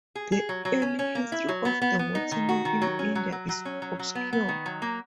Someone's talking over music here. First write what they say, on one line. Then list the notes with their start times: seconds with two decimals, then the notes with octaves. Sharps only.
The early history of the watermill in India is obscure.
0.15 G#4
0.32 G#4
0.49 F#3
0.65 F#3
0.82 C#4
0.99 C#4
1.15 A#3
1.32 E4
1.49 F#3
1.65 B3
1.82 B3
1.99 B3
2.15 D#4
2.32 D#3
2.49 F#4
2.65 D#3
2.82 F#3
2.99 C#4
3.15 F#3
3.32 F#3
3.49 F#3
3.65 C#4
3.82 F#3
3.99 F#3
4.15 B3
4.33 B3
4.49 D#3
4.66 F#3
4.82 A#3